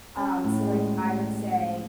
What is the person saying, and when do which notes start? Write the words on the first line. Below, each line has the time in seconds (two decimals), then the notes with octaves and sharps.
Um, so like, I would say
0.17 C#4 A5
0.44 A2
0.70 G#3
0.98 A2